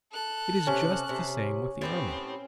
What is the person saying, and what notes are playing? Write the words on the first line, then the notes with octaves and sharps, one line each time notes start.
It is just the same with the army.
A4 F#6
C3 C#4
C3
A2 B3 C4 G4